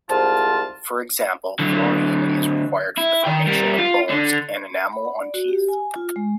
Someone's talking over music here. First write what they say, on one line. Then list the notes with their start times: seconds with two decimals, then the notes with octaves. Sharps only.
For example fluorine is required for the formation of bones and enamel on teeth.
0.08 C2 G#2 F4 A5
1.59 D3 F#3
2.97 E4
3.25 D#3 G5
3.47 G3 A#4
3.78 F4
4.09 D3 D4
4.93 B5
5.05 F#5
5.19 D5
5.34 F#4
5.48 G4
5.68 G#5
5.96 F4
6.16 G#3